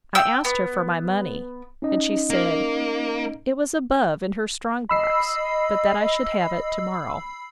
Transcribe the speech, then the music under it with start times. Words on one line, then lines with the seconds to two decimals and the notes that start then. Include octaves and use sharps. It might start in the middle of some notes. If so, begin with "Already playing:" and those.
I asked her for my money; and she said, it was above in her strong box, but that I should have it to-morrow.
0.15 G5 E6
0.45 B3
1.82 C#4 D#4 D#5
2.30 A#3
4.89 D#5 B5 E6 C7